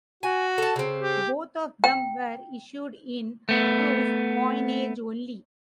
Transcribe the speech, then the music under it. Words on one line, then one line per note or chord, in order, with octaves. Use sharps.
Both of them were issued in proof coinage only.
F#4 G#5
A4 A5
C#3 C4
G4
G5
A3 B3